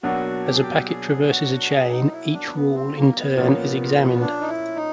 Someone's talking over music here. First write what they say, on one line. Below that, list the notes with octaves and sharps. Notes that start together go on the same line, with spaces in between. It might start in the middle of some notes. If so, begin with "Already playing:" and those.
As a packet traverses a chain, each rule in turn is examined.
B2 F#3 A#3 D4 F#4
G4
G#4
G4
G#4
F#4
G#4
D#4
E4
D4
B3
C4
A#3
B3
A#2 F3 A#3 C#4 F4
D4
D#4
E4
D#4